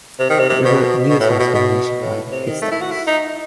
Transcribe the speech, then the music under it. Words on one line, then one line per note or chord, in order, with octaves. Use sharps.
However, neither song gained nationwide hit status.
C3
D#3
C3
C3
B2
B2
A2
B2
B2
B2
A2
C3
D#3
A3
E4
F#4
E4
D#4